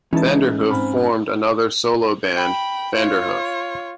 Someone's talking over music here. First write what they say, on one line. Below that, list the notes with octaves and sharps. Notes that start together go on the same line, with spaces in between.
Vanderhoof formed another solo band, Vanderhoof.
E3 G#3 C#4 D#4 E4 B4 A5
G#2 C4 B5 F6
G5 B5
F4 C#5